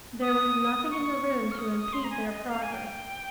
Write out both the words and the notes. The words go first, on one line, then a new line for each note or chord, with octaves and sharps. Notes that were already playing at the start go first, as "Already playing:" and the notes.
There was nothing in the room to impede their progress.
D#6
D#6
C#6
F6
D#6
D#6
C6
A#5
G#5
D#5
F5
G#5
G5